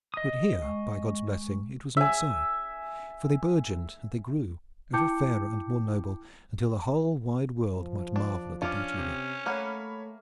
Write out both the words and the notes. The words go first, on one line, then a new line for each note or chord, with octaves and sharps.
But here, by God's blessing, it was not so, for they burgeoned and they grew, ever fairer and more noble, until the whole wide world might marvel at the beauty of it.
D#5 D#6
G#3 C#6
E5 G#5
E4 G5 A5 D6 G6 C#7
F3
D4
C#4 D4 F4 D6
C3
A3 A#3 C#5 F#5 B5 F6